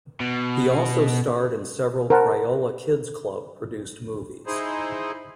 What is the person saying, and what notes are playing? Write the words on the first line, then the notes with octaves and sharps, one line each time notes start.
He also starred in several Crayola Kids' Club-produced movies.
B2
A#4 C5 F#5 A5
D#4 E4 G#4 C5